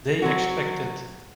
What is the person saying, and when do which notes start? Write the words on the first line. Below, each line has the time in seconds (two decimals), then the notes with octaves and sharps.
They expect it.
0.22 F#3 C4 F#4